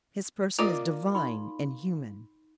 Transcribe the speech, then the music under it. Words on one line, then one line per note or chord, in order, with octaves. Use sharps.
His person is divine and human.
A#3 F4 D5 D#5
D#4 B5 C6